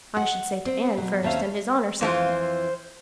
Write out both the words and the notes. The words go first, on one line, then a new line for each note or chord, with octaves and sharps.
I should say to Ann first and His Honor second.
F#5
C4
B2 F#3
D#2 A3 C4 C#4 F5
F2 E3 F4 C5